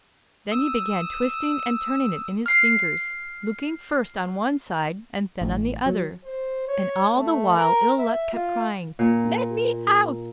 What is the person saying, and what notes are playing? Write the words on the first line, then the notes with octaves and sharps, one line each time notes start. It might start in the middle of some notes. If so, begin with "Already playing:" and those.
Then he began twisting and turning it in his fingers, looking first on one side and then on the other, and all the while Ill-Luck kept crying, "Let me out! let me out!"
D#6 E6
F6 C7
A1
F#3
C5
C#5
A3
A#4
E5
F4
A#2